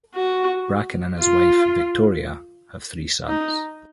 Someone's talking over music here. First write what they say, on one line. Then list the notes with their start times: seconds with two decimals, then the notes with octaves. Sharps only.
Bracken and his wife, Victoria, have three sons.
0.15 F#4
1.19 F4
3.28 D#4